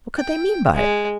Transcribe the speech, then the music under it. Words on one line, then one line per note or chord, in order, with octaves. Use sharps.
What could they mean by it?
G5
G#3